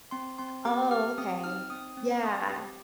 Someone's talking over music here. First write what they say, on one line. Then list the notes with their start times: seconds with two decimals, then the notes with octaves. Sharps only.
Oh, okay. Yeah.
0.11 C4 C6
0.38 C4 C6
0.65 G4 D6
0.91 G4 F6
1.18 C4 D#6
1.44 D#4 F6
1.70 C4 D#6
1.97 C4
2.24 C4 D#6
2.50 G4